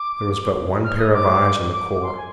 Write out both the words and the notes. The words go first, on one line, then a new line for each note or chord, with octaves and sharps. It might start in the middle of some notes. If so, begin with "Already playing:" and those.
There was but one pair of eyes in the corps.
Already playing: D6
F6
D#6
D6
D6
C6
G#5